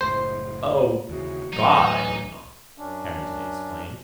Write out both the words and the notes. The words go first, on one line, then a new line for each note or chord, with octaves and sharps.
"Oh, God, I hope not!" Harrington exclaimed.
F#1 C#2 A2 C5
D#2 C#3 E3 F#4
A2 E3 F#3 D#4
F#2 C#4 D4